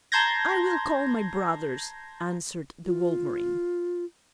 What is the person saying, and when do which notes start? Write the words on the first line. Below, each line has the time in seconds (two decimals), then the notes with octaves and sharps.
'I will call my brothers,' answered the wolverine.
0.12 A5 A#5 C6 G6 G#6 A#6
2.85 F4